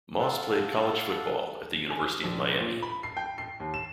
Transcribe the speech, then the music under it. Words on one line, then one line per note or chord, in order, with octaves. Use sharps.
Moss played college football at the University of Miami.
A4 F5 F#5
G#5
A#1
A#2
B5
C7
G5
C7
D#2
E7